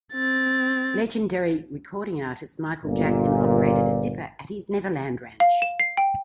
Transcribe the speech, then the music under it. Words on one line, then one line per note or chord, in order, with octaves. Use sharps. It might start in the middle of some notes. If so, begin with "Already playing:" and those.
Legendary recording artist Michael Jackson operated a Zipper at his Neverland Ranch.
C4 A6
G1 A#2
F5
E7
C7
G5